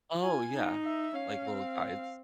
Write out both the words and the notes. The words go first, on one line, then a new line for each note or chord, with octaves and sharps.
Oh, yeah, like little guides.
F4 G#5
D#4
E5
C#4 F5
C4